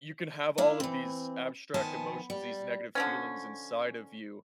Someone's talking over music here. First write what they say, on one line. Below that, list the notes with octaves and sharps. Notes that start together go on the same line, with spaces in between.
you can have all of these abstract emotions, these negative feelings inside of you,
D4 E4 F5
E3 C4
D#3 F3 B3 G#5 A5
G3
D3 F3 C#4